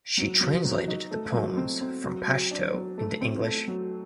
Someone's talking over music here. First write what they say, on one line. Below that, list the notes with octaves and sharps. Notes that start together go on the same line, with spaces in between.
She translated the poems from Pashto into English.
F#3
F#3
F#3
D#4
A3
F#3
C4
C4
F#3
F#3
D4
F#3
A3
C4
A3
F#3